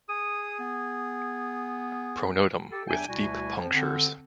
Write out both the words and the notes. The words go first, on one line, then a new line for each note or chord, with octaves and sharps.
Pronotum with deep punctures.
G#4 D#6
B3
G4 A4
E2 F#3 D4 E5 G5 G#5
D2 B2 G3 E4 F#4 G#5
F2 F3
D3 C4